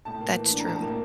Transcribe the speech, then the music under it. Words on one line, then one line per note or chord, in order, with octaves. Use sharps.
That's true.
A2 A5
A#3
E3
D4
A#5
A2 A5
A#3